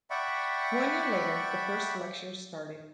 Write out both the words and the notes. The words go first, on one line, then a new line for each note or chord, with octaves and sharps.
One year later the first lectures started.
D5 E5 F#5 G5 B5 C#6